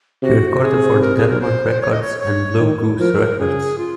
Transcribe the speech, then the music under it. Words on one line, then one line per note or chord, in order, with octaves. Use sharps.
He recorded for Delmark Records and Blue Goose Records.
C3 F#4
C3 G#4
A#4
G#4
A#4
C5
C#5
D#5
C#5
C#5
D#3
F3 A#4
C#3 G#4
F4